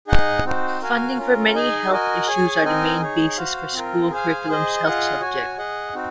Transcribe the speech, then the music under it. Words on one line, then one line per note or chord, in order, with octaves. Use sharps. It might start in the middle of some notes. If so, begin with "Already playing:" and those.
Funding for many health issues are the main basis for school curriculum's health subject.
D#4 G#4 D#5 F#5
C4 D#4 F#4 C5
F#4 A#4 F5 G#5
C#4 F4 A#4
D#4 G#4 D#5 G#5
F#4 A#4 D#5 G#5
G#4 C#5 G#5
C4 D#4 A#4 D#5 G#5
D#4 G#4 C#5
F#4 C5 F5
C4 F4 A#4
G#4 C5 F5 G#5
G#4 C5 D#5
F4 G#4 D#5 F#5
F#4 C#5 G#5
G#4 D#5 F#5
C4 D#4 F#4